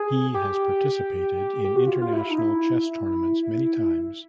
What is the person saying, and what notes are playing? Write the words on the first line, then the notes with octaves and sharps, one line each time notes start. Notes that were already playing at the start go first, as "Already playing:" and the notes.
He has participated in international chess tournaments many times.
Already playing: G#4
G4
G4
F#4
F4
F4
E4
D#4
E4